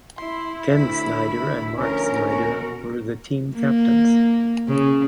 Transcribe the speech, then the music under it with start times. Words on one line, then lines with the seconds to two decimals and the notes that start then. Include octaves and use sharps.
Ken Snyder and Mark Snyder were the team captains.
0.17 E4 C6
0.75 D2 B5
1.77 D2 F3 C#4 A#4
2.27 B2 F#4 A#4
3.57 A#3
4.68 C#3